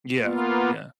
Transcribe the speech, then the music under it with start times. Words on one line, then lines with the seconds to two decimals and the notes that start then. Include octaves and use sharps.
Yeah, yeah.
0.22 A#3 B3 F4